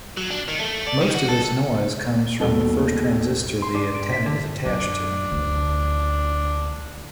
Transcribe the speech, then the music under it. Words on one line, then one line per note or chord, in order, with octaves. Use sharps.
Most of this noise comes from the first transistor the antenna is attached to.
F#3
D4
D#3
A3
D5
D#3
F#4
A4
D#2 B2 G3 A4 G7
C6
D4
D7
B6
D3
F#2 D4
D2